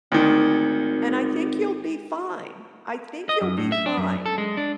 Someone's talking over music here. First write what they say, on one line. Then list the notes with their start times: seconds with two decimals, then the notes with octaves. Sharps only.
And I think you'll be fine. I think you'll be fine.
0.12 G#1 D2 D#3
3.29 D#5
3.41 F#2
3.58 A2
3.72 E5
3.86 D4
3.97 F#2
4.26 A4
4.38 G#3
4.57 D4